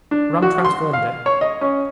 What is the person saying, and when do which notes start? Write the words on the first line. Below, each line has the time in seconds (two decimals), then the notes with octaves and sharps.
Rum transformed it.
0.11 D4
0.42 F#4
0.65 C6
0.93 F5
1.26 C#5
1.41 D#5
1.61 C#4